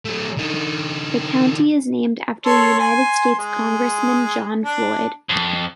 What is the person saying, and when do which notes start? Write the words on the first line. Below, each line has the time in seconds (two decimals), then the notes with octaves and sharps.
The county is named after United States Congressman John Floyd.
0.05 F#3 A3
0.37 D3 D#4
2.45 A4 C5 C#5
2.79 C5 G#5
3.39 G#3
4.63 D4
5.29 F2